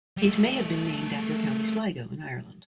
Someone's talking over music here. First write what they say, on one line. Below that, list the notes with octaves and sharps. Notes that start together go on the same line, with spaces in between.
It may have been named after County Sligo in Ireland.
G3 A3